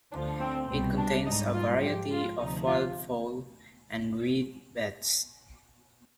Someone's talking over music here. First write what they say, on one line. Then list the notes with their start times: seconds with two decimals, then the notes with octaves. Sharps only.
It contains a variety of wildfowl and reedbeds.
0.12 D2 D3 F3 D4
0.40 C4
0.69 C2 B2 G3 C4
0.97 D4
1.25 G#2 G3 D#4
1.54 F4
1.82 G#2 F3 G4
2.11 F4
2.39 D2 C3 F3 D#4
2.67 F4